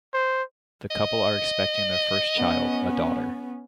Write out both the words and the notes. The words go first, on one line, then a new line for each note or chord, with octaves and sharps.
The couple are expecting their first child, a daughter.
C5
D#5
B3 C#4